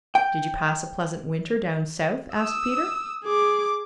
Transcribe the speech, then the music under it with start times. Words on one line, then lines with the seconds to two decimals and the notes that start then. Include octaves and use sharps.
"Did you pass a pleasant winter down South?" asked Peter.
0.15 G5
2.35 D#6 E6
3.24 G#4 D6